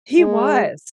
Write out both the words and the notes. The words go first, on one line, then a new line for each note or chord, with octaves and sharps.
He was.
G#3